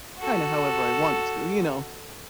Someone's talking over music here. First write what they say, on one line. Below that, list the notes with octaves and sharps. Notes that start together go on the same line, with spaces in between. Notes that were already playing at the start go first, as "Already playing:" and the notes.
kinda however I want to, you know,
F#4 A4